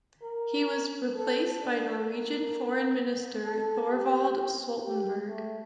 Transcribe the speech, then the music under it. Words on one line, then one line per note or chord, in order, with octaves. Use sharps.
He was replaced by Norwegian Foreign Minister Thorvald Stoltenberg.
A#4
A4
D4
A#4
A4
G4
G4
A3